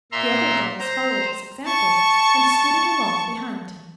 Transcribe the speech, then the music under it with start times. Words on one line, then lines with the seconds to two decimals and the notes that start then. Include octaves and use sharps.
The other dolls followed his example and scooted along behind him.
0.12 A#2 E5 A#5 C6
0.79 C5 A#5
1.65 A5 C#6